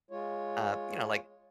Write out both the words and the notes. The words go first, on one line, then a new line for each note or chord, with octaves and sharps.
uh, you know, like
G#3 F4 C#5